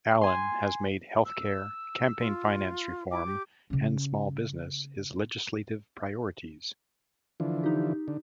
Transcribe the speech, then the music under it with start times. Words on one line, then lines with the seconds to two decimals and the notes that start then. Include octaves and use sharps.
Allen has made health care, campaign finance reform, and small business his legislative priorities.
0.21 G#5 C6
1.25 E6
2.19 F4
3.11 E4 D6
3.26 G4
3.70 C#3 C#4
7.40 D3 E3 F3
7.64 D#4 G4
8.08 D3